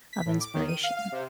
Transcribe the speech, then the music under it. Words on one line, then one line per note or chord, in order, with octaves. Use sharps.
of inspiration.
B6
A2
D6
D#3
D#7
F5
F5
C3